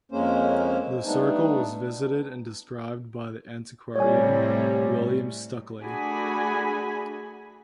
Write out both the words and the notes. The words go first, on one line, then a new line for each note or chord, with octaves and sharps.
The circle was visited and described by the antiquarian William Stukeley.
F2 G#3 A#3 C#4 C5
G3 A3 B3 D4 D#4
A2 C3 G3 C#5 D5 G#5
A3 D4 F#4 G#4 G#5 B5